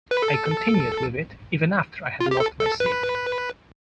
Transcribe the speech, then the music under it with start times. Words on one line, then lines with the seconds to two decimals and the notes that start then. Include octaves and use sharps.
I continued with it even after I had lost my seat.
0.11 B4
0.22 A4
2.20 F4
2.31 G4
2.40 A4
2.60 A4
2.80 B4